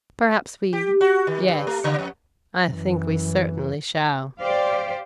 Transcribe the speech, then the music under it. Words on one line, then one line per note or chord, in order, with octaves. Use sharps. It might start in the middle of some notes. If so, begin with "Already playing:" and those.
"Perhaps we--Yes, I think we certainly shall."
G4
F#4
D#3
G2
A3
C#3
F2
F#2 E3
G4 C5 D5 F5